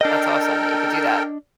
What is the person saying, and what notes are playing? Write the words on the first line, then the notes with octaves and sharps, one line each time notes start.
That's awesome that you could do that.
D4 A4 A#4 D#5 G5